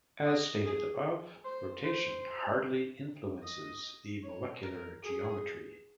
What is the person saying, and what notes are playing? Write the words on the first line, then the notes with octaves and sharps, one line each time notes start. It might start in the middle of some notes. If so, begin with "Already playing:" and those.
As stated above, rotation hardly influences the molecular geometry.
D#5
G#4
C5
C5
D#5
C#5
A#4
G#4